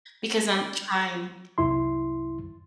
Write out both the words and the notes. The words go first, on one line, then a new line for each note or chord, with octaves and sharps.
Because I'm trying
C2 F#2 E4 C6